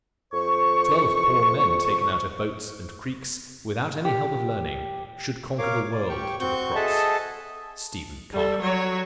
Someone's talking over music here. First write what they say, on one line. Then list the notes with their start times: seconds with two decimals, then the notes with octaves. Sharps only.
Twelve poor men taken out of boats and creeks, without any help of learning, should conquer the world to the cross. --STEPHEN CARNOCK.
0.33 F2 C5 C#6
4.05 G4
5.58 A#4 C#5 F5 D6
5.91 D5
6.09 G4 G5 C#6
6.40 C4 F#4 C#6 G6
6.75 G#4 A4 D#5 E5 F#5 A5
8.33 G3 A4
8.62 F#3 C#5